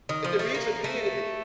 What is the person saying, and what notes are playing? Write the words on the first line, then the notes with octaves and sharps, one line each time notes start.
and the reason being it b
D#3
F3
A3
A#3
A3